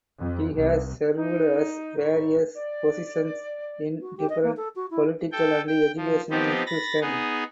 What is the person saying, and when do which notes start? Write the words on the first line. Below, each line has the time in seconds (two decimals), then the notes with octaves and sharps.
He has served as various positions in different political and educational institutions.
0.20 F2
0.55 C2
1.16 D#4
1.97 C2 A2 D3 D#4 D5 C#6
2.55 D5
4.01 F#4
4.17 G4
4.29 D#5
4.43 A#3
4.57 A4
4.76 F#4
4.90 E4
5.32 A4 G5
5.68 G5
5.97 F3
6.31 F3 B3 C4 D#4 G4
6.67 B5 A6 A#6
7.01 B3 D#4 G#4